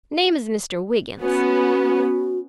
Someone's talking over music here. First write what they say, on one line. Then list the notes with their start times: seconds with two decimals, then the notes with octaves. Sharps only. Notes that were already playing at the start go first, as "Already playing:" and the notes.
"Name is Mr. Wiggins."
1.20 B3 C#4 F#4